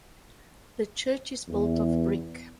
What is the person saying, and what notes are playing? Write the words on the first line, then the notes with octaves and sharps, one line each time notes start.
The church is built of brick.
E2